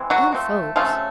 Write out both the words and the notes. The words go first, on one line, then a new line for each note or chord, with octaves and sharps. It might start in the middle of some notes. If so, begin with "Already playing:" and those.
And folks.
Already playing: E3 G#3 C4
F#3 F#4
F3 A3 C4
C#3 F3 F#3 A3 C4 F4